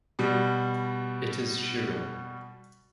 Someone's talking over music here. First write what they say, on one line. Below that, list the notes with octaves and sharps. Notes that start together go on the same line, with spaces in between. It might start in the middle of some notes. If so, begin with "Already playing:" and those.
It is chiral.
B2 G3